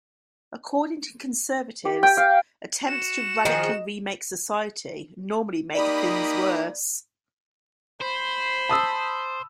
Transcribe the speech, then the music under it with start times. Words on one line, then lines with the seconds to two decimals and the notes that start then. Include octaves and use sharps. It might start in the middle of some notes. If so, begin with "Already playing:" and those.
According to conservatives, attempts to radically remake society normally make things worse.
1.85 G4
2.03 G5
2.17 F5
2.88 F#4 E7
3.45 D#3 F3 G#4 D#5
5.75 A#3 D#4 G4 D5 B5 D#6
8.01 C5 B5
8.69 A5 D#6 E6